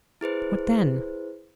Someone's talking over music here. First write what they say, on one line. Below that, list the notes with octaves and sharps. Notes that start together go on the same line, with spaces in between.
"What then?"
E4 G#4 B4 C5